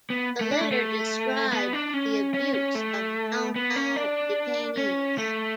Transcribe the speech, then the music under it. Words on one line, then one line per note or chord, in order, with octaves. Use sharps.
The letter described the abuse of Mau Mau detainees.
B3
A3
D4
A3
A3
B3
D4
C#4
C#4
C#4
A3
B3
C#4
D4
C#4
A3